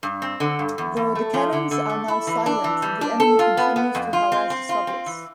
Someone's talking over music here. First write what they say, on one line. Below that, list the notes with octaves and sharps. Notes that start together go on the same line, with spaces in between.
Though the cannons are now silent, the enemy continues to harass the Soviets.
G2
C4
D3
G2
E2
E2
A3
F3
D3
D3
A3
E4
E3
D4
E3
G3
D4
A4
F4
B3
B3
F2
F4
C4
C4
F4
C4
E3